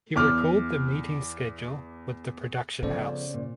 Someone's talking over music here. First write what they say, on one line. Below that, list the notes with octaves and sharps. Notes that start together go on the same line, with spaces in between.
He recalled the meeting schedule with the production house.
E2 D6 F6
C#3 F3 B3 C#4 A4 C5 D5
A#2